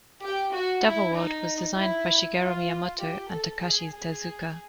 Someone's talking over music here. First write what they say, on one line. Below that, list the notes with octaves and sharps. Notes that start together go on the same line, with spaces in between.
"Devil World" was designed by Shigeru Miyamoto and Takashi Tezuka.
G4
F#4
E4
D#4
E4
F4
G4
A4
G#4
G#4